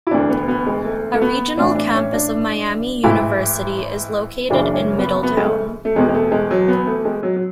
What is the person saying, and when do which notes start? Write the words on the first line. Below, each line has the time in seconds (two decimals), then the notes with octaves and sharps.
A regional campus of Miami University is located in Middletown.
0.07 E4
0.11 E1 D2 D3 D4
0.30 B3
0.48 B3
0.67 G#3
0.84 A3
1.14 A3
1.21 B3
1.58 A1 A2 E3 D4
1.75 D4
1.94 C#4
2.12 D4
3.04 A1 G#2 E3 E4
4.49 F#1 F#2 C#3 E3 D4
4.74 C#4
4.98 B3
5.23 B3
5.31 A3
5.37 G#3
5.45 A3
5.85 A3
5.95 E1 E2 B2 G#3
6.09 G#3
6.14 A3
6.32 G#3
6.51 F#3
6.68 B3
6.87 A3
7.05 G#3
7.23 F#3
7.36 F#3